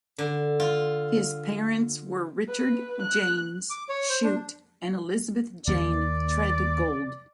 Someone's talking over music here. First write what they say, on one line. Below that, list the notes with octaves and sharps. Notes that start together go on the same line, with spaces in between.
His parents were Richard James Shute and Elizabeth Jane Treadgold.
D3
F4
B4
F#6
D6
C#5
C5
D4
D#2 A#3 D5